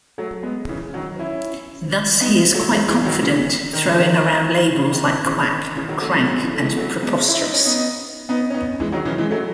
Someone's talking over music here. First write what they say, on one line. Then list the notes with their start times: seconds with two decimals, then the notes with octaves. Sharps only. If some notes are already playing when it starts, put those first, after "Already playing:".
Thus he is quite confident throwing around labels like "quack", "crank" and "preposterous".
0.18 F#3 A3
0.43 G#3 B3
0.69 C#3 E3
0.94 D#3 F#3
1.19 C#4 E4
2.20 B3 D#4
2.54 F#3 A3
2.71 E3 G#3
2.88 E3 G#3
3.05 D#3 F#3
3.22 C#3 E3
3.73 D#3
3.85 C#3
3.98 D#3
4.75 C#3
4.91 D#3
5.08 D#3
5.25 C#3 E3
5.51 D#3
5.75 C#3 E3
5.88 D#3 F#3
6.01 F#3 A3
6.13 E3 G#3
6.26 D#3 F#3
6.43 C#3 E3
6.54 A3
6.60 E3 G#3
6.72 B3
6.77 F#3 A3
7.02 G#3 B3
7.28 E4
7.41 D#4
7.53 C#4
7.66 B3 D#4
8.29 B3 D#4
8.50 C#4
8.54 B3 D#4
8.80 E3 G#3
8.92 D#3 F#3
9.05 C#3 E3
9.18 E3 G#3
9.31 F#3 A3